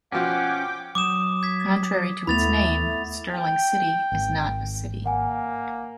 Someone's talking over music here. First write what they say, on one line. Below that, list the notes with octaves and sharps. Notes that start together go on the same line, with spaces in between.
Contrary to its name, Stirling City is not a city.
B2 F3 C#4 F#5 G5 D6
F#3 D6 D#6 E7
G#6 B6
D#2 A3 B3 E4 B5 A6 F7
G5
G#1
A#3 F#5 G#5